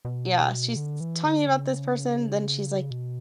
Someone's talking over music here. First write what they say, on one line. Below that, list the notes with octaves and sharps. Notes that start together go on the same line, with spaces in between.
Yeah, she's s talking about this person, then she's, like
B2
D3
E3
D3
C#3
B2